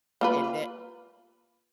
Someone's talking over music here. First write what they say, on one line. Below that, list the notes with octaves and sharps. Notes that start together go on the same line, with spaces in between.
Did it?
A#3 F4 B4